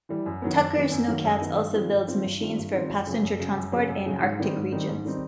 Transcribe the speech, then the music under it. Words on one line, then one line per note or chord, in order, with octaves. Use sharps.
Tucker Sno-Cats also builds machines for passenger transport in Arctic regions.
E3 G3
F#2
D#3 F#3 B3
F#2
D#3 F#3 B3
F#2
D#3 F#3 B3
F#2
D#3 F#3 B3
G2
D#3 G3 C4 F4
G2
D#3 G3 C4 F4
G2
D#3 G3 C4 F4
G2
D#3 G3 C4 F4
F#2
C#3 F#3
F#2
C#3 F#3
F#2
C#3 F#3
F#2
C#3 F#3
G#2
D#3 G3 C4 D#4
G#2
D#3 G3 C4 D#4
G#2
D#3 G3 C4 D#4